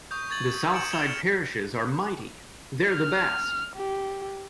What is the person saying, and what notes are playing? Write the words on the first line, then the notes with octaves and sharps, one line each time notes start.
The South Side parishes are mighty-they're the best!
C#6 D#6 G6
C#6 G#6 A6 F#7
A6 C#7 D7 E7 F#7
E7 F7 G7
F6 C#7
F6
G4